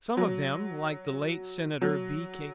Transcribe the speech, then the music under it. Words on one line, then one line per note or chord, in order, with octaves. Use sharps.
Some of them, like the late Senator B.K.
F#3
F#3